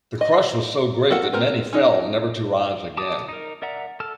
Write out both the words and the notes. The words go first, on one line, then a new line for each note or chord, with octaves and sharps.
The crush was so great that many fell never to rise again.
D#5
F#4 A4 A#4 F#5
B3 C4 A#4
C#4 D#4
A5 D6 D#6
D#4 A#4
A#4 D5 E5 F#5 A#5
A4 A5 F6